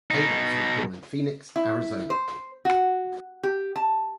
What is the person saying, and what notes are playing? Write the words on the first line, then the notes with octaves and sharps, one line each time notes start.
Abels was born in Phoenix, Arizona.
B2 D#4
E4
C5
F#4
G4
A5